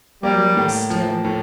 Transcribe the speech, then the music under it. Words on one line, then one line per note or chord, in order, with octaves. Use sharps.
The room was still.
G3 A#3
A2
F3
A2